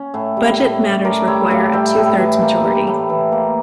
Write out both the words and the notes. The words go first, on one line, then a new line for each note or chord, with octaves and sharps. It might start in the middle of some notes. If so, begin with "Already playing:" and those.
Budget matters require a two-thirds majority.
Already playing: C#4
A2
G3
A2
C#4
A2 A#4 D5
G3 C#5 E5
A2 D5 F5
G3 E5 G5
A2
E3
A#3
G3
A2
E3
A#3